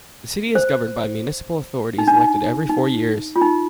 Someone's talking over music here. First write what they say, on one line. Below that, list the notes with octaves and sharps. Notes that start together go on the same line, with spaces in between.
The city is governed by municipal authorities elected every four years.
C5
D#4
D4
D#4
D#4
F4
D#4